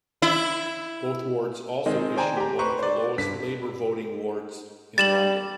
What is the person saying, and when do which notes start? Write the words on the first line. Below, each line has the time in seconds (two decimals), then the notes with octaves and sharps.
Both wards also issued one of the lowest Labour voting wards in London.
0.22 E4
1.86 D#3 G#3 C4
2.16 C5 D5 G5 G#5 A#5
2.37 G4 A#5
2.59 B4 C5 A#5 C#6
2.79 C5 D5
3.18 G2 B6
4.98 G3 A6 E7 F#7